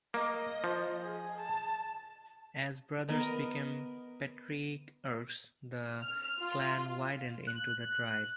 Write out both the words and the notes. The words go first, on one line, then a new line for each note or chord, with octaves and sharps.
As brothers became patriarchs, the clan widened into the tribe.
A#3 D#5
F3
G#4
A5
B3 A#4 D#5
F6
F4
F#6